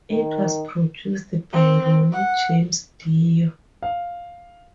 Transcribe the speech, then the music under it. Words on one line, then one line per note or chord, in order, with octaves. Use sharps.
It was produced by Ronnie James Dio.
D#3
C4
F#5
F5